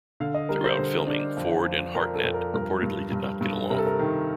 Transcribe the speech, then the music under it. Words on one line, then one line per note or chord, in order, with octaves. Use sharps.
Throughout filming, Ford and Hartnett reportedly did not get along.
D3 F5
D#5
G3 A#4
C5
D3 C5
D4
F2
F2
F2 A#4
A4
F2
A#4
G2 A#4
G2
G2
G2
C3 A#4
A4
A#4
D#3